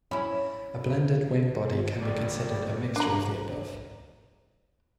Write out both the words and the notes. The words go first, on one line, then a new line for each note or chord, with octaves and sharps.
A blended wing body can be considered a mixture of the above.
C#4 E4 B5
G1 F2 G3 D5
D4 A#5